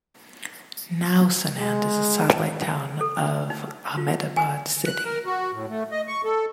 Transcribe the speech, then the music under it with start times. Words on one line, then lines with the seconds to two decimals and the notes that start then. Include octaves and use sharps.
Now, Sanand is a satellite town of Ahmedabad city.
1.59 G#3
3.01 A4
3.50 D#4
3.97 F4
4.37 G#5
4.86 F#6
5.05 A#4
5.25 F#4
5.53 A2
5.69 A3
5.91 D#5
6.08 C#6
6.24 A4